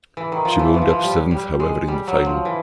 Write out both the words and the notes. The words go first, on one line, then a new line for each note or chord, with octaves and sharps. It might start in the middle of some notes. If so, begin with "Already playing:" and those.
She wound up seventh, however, in the final.
E3
D#3
F3
E3
F3
E3
F3
G3
G3
G#3
G3
F#3
F3
E3